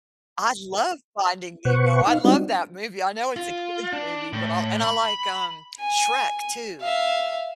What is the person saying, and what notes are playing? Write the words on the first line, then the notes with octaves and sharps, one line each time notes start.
I love Finding Nemo, I love that movie, I know it's a kid's movie, but I'll and I like, um, Shrek too.
B2 B4 C5 F#5 C#6
D#4 F5
G3 C4 D4 D#4 F#4
F4
D4
A2
B5
G#5
E5 F5